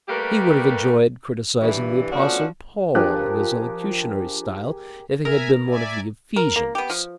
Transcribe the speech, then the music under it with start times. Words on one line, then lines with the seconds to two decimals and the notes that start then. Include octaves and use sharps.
He would have enjoyed criticizing the Apostle Paul and his elocutionary style if he had been one of the Ephesians.
0.09 G3 A3 A#3 G4 A#4 B4
1.61 G2 E3
2.12 F3 A3 B3 C#4 D4 F#4
2.95 F3 D4 G4 G#4 A#4 F#6
5.25 A#4 E5 G#5
5.67 D5 E5 G#5
6.36 A#4
6.56 A#3
6.75 B3 G4
6.90 F3